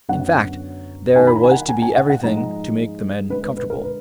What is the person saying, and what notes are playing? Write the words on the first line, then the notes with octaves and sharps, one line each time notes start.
In fact, there was to be everything to make the men comfortable.
F#2 D3 F#3 B3 D4 F#5
D#3 A#3 D#4 G#5
B5
A#5
G#5
F#5
G#5
G#5
F#5
F#5
G#2 F3 G#3 D#4 A#5
D3 G#3 D4 B4
B4
B4
A#4
B4